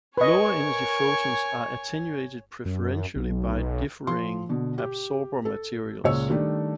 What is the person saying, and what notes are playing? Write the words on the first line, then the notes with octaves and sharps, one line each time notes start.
Lower energy photons are attenuated preferentially by differing absorber materials.
A#4 B4 C#5 D#5 G#5 C#6
F#2
B1
F3 C6
B2 D3
G4
A4
C#2 A#2 G#3 C#5 E6
D#3 G3 A3 D4